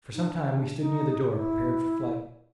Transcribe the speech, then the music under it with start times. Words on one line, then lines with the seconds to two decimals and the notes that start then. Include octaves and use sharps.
For some time we stood near the door, prepared for flight.
0.14 D#4
0.26 D4
0.80 D#4
1.33 E4